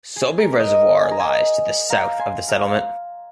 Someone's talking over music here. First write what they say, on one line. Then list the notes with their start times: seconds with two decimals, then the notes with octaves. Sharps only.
Sulby Reservoir lies to the south of the settlement.
0.16 G#4
0.38 A#4
0.60 A#4 D#5
1.03 G#5
1.11 A#5
1.19 D#5 G#5
1.90 F5 A#5
2.19 G#5 C6
2.48 F5 A#5